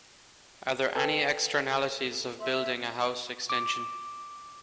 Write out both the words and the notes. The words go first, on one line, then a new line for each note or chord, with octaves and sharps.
Are there any externalities of building a house extension?
A4 B4 G5
E5 C6
D6